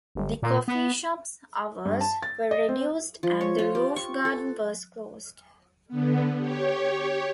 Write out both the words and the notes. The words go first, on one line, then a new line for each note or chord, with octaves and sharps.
The coffee shop's hours were reduced and the Roof Garden was closed.
G1
A#2
B3
G2
A5
A6
D#5
C4
F3
C#5
F4
G4
C#6
A4
D3 B3
G4 C#5